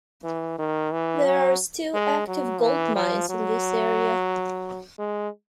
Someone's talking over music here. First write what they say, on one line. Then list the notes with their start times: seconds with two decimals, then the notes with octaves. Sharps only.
There are still active gold mines in this area.
0.24 E3
0.58 D#3
0.92 E3
1.26 F#3
1.94 G#3
2.28 F#3
2.61 E3
2.95 F3
3.29 F#3
4.99 G#3